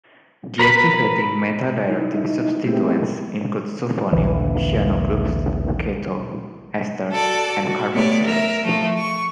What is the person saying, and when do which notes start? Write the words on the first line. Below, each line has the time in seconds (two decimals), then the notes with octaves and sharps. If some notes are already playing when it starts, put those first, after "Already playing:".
Deactivating meta-directing substituents include sulfonyl, cyano groups, keto, esters, and carboxylates.
0.60 A#4 B4 B5
1.89 D#4 E4
2.67 G#3 A3 B3 C4 E4 G4
4.12 A#1 D#2 D3 E3
7.12 F#4 A4 D5
7.63 F#4
7.93 A3 B3 G4 C#5 D5
8.22 A#4 E5
8.62 F3 A3
8.97 C#6